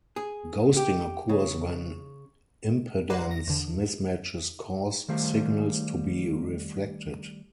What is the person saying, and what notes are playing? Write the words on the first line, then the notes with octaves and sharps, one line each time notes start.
Ghosting occurs when impedance mismatches cause signals to be reflected.
G#4
G4
C#3
B4 D5 F#5 A#5 C6
A#6
E2 D3
D#3 G3 A3 C5 F5